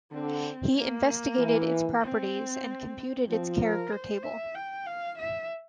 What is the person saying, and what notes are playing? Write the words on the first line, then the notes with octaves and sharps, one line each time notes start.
He investigated its properties and computed its character table.
D3 C4
A#3
E3
C4
F3 C4
A#4
C5
E5
G5
F5
E5